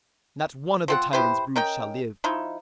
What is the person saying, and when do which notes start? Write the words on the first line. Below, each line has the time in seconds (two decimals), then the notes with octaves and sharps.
Not one of the tyrant's brood shall live.
0.88 F3 C4 F#5
1.13 E4 G4 B4 C5
1.56 C#4 A#4 D#5 G5
2.24 F3 D#4 E4